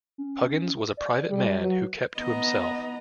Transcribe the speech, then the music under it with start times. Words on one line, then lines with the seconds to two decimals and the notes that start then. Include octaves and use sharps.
Huggins was a private man who kept to himself.
0.18 C#4
0.97 D5
1.30 G3 G#4
1.61 F#3 B4
2.18 B3 D#5 A#5